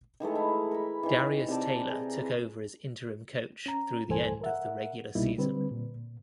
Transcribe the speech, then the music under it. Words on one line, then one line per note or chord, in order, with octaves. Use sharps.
Darius Taylor took over as interim coach through the end of the regular season.
D#3 E3 G#3 A3
E4
A#4 B5
D#3 E3
C3 A#4 D5 A5
G#4 A#4
C#4 A#5
C2 G2 E3 A4 C5 G#5
A#4 E5 F#5
C2 B2 G3 A#3 D#4 E4
D3 G3 C4 B4
A#2